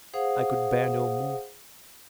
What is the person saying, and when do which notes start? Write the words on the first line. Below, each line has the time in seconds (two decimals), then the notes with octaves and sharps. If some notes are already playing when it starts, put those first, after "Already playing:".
I could bear no more.
0.14 G#4 C5 F5 F#5 D#6